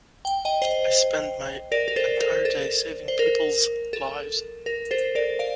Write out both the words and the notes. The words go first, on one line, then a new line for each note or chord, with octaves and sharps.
I spend my entire day saving people's lives.
G5
D#5 G5
C5 D#5
A#4 D5
A#4
A4 C5
A#4
A4
C5
A#4
A4
A#4
A4 C5
A#4 D5
D5 F5